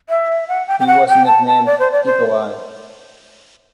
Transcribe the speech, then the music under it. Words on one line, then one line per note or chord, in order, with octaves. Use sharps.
He was nicknamed "eagle eye".
E5
F#5
G5
G5
F#5
G5
A5
A5
D5
C5
D5
C5